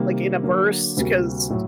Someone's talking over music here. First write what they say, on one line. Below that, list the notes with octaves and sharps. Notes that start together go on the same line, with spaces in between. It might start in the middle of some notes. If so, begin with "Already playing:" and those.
like in a burst, 'cause
Already playing: C3 D#3 G3 A#3
D3 F#3 A#3
D2 C3 G3 A#3 F#4
A2 F#3